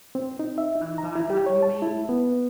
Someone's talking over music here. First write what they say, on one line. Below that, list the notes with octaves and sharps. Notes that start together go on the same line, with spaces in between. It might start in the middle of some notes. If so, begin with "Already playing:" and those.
"And by that you mean?"
C4
D#4
E5
D#4
A#5
E4
G4
C#5
A5
E4
B3